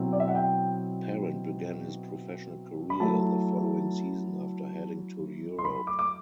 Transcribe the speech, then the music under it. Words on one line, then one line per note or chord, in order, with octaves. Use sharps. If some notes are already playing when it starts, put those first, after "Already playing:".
Parent began his professional career the following season after heading to Europe.
Already playing: B2 F#3 C4 E4
D5
E5
F#5
G5
B5
F#3 A3 E4 A5
C6
B5
D6
D6